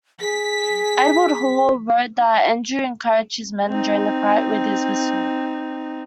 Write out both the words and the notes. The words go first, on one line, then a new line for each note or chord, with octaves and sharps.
Edward Hall wrote that Andrew encouraged his men during the fight with his whistle.
G#4 B6
C4 D#4